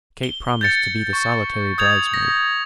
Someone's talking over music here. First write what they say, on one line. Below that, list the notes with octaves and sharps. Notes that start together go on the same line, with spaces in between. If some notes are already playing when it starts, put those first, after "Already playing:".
Kate promised to be the solitary bridesmaid.
G7
G6 A6 C#7
C#6
D#6 G6 G#6 F7
A#6